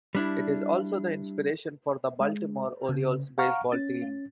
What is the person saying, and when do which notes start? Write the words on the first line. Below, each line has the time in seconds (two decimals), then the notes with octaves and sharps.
It is also the inspiration for the Baltimore Orioles baseball team.
0.15 G3 D4 E4
2.20 G#3
2.89 C#3
3.38 F5 F#5 A#5 C#6 F6
3.72 C#4 A6